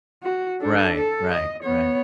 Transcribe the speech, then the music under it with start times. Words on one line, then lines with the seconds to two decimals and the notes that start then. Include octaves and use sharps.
Right, right, right.
0.23 F#4
0.61 D4 A4
0.96 A4
1.33 D#5
1.62 B3 C#5